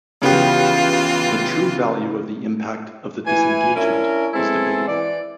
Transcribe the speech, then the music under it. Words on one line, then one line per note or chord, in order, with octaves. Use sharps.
The true value of the impact of the disengagement is debatable.
C#3 E3 B3 F4 G4
E3 E4 G#5
C#4 D4 E4 A#4
G#3 B3 C4 E4 A4
E3 D5